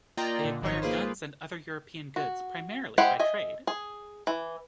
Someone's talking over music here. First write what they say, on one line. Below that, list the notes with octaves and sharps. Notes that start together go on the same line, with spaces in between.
They acquired guns and other European goods primarily by trade.
A#3 F4 D5 D#5 G5 A#5
A#2 D3
G#1 D#3 F3 D#4 C#5
A#3 F4 G#4 B4 C5
F#4
G#3 E4 G4 C5 F#5
D#5 E5 G#5
G#4
E3